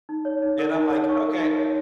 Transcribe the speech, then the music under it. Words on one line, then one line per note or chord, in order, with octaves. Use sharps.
and I'm like, "Okay,
D#4
C#5
D#4
A#4
D#4
C#5
D#4 C#6
A#4
D#4 C6
C#5